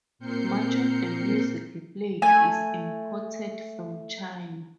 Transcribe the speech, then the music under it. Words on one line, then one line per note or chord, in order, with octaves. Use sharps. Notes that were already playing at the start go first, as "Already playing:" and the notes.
Much of the music played is imported from China.
A#2 C4 A#4 G6 C7 C#7
A3 G#5